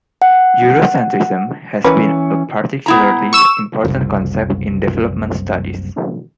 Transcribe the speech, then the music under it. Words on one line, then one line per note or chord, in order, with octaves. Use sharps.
Eurocentrism has been a particularly important concept in development studies.
F#5
E3 A#3 C#4 B4
B3 E4 A#5
C#6 E6 E7
F#1 C2